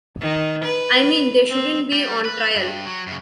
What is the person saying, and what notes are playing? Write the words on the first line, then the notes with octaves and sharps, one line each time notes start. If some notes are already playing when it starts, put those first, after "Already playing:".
I mean, they shouldn't be on trial.
D#3
B4
C4
G3
B4
G2
F#3
F#2 C#3